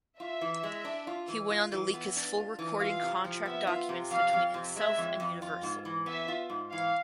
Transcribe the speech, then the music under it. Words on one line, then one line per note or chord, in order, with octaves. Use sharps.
He went on to leak his full recording contract documents between himself and Universal.
F4 E5
E3
G#3
D4
F4
E3
F4
E3
B3
D4
F4
E3
F4 F5
C3
F3
B3 E5
F4
C3
F2 F5
F2
C3
G#3 E5
F2
F2
F4
G#2
E3
B3 E5
F4
G#2
E3 F5